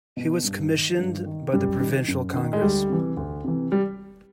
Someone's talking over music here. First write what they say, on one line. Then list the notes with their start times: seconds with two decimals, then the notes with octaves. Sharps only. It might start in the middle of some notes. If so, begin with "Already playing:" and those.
He was commissioned by the Provincial Congress.
0.17 B2
0.44 G2
0.71 D#3
0.99 G2
1.26 D#3
1.53 F#2 G3
1.80 D#3
2.08 F#2
2.36 D#3
2.53 G#3
2.62 D2 G3
2.89 C3 E3
3.17 D2
3.44 C3 E3
3.72 G3